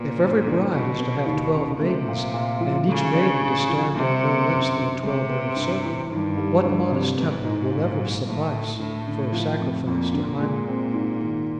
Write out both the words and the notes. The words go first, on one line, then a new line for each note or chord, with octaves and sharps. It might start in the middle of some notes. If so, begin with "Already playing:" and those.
If every bride is to have twelve maidens, and each maiden to stand on no less than a twelve-yard circle, what modest temple will ever suffice for a sacrifice to Hymen?
Already playing: A#2 B3
G2
D3
B2 F#3
B3
D#2
C#3
C3 A3
A#2
A#2
F3
C#3 A3
D4
A2
F3
C3 G3
A#3
F#2
D3
C3 G#3
B3
G2
E3
G2 D#3
G3
D2
C3
G#2 B3
D#4
A#2
F#3
A2 F#3
A3
D2 A2
D3
F3
F2
F2 A#2
D3
G#3
C4
G#2
D#3